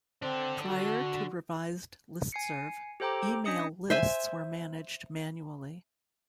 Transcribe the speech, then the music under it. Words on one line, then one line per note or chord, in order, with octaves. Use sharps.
Prior to Revised Listserv, email lists were managed manually.
D3 C4 D4
F#4
G#5 C7 C#7
G4 A4 C5 G5 A#5 D6
C#4 D4 D#5 D#6 C#7
C5 E5 G#5